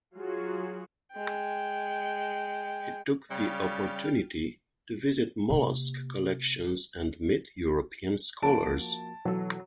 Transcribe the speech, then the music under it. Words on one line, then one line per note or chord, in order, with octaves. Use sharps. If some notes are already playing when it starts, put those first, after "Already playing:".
He took the opportunity to visit mollusk collections and meet European scholars.
F#3 F4 F#4 G#4
G#3 G5
C#3 G3 G5 F6 A6
C3 A#3
F3 A#3 F#4 A5 D7
B2 E3 F#3 A4